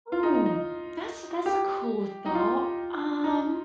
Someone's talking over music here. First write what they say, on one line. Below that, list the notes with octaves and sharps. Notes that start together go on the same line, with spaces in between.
Oh, that's a that's a cool thought, um
F4
D#4
D#4
D#4
G4
D#4
F4
D#4